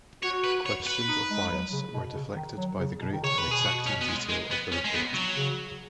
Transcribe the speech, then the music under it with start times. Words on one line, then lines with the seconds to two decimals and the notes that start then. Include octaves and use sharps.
Questions of bias were deflected by the great and exacting detail of the report.
0.23 F#4 C#5
0.44 B4
0.66 C#5
0.87 B4
1.08 D#4
1.30 G#3
1.51 F#3
1.73 C#3
1.94 B2
2.15 C#3
2.36 D#3
2.58 F#3
2.79 C#3
3.01 B2
3.12 D#3
3.23 C#3 C#5
3.38 B4
3.44 B2
3.51 G#4
3.65 F#4
3.86 C#4
4.01 B3
4.08 G#3
4.29 G#3
4.51 B3
4.72 C#4
4.84 G#3
4.94 B3
5.14 F#3
5.36 C#3